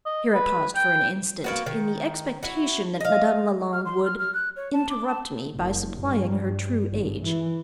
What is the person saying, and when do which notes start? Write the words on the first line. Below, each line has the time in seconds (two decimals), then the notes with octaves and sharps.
Here I paused for an instant, in the expectation that Madame Lalande would interrupt me by supplying her true age.
0.06 D#5
0.34 B4
0.76 G5
1.44 A#3 B3 F#4
1.66 D#3
2.43 E4 F#4
3.00 D#5 F5
3.73 F6
3.85 C6
4.05 F6
4.19 F6
4.34 F#6
4.56 C#5
4.73 A5
4.90 D6
5.08 A5
5.55 F#1
6.01 G2
6.91 G#1
7.22 E3